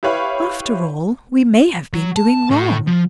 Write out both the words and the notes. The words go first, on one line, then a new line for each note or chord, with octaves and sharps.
'After all, we may have been doing wrong.
E4 G4 B4 C#5 F5 B5
F#3
A5
A2
F3